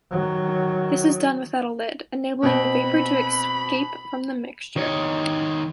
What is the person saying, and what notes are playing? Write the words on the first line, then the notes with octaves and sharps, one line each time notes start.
This is done without a lid, enabling the vapor to escape from the mixture.
D#3 F#3
B2 C4 B5
D#3 C#5